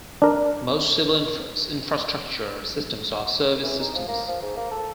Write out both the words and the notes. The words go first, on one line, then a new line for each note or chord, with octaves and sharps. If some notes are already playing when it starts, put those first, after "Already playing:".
Most civil infrastructure systems are service systems.
D4 A#4
E3
D#4
F3
A#3
F3
G#2
A#3
A4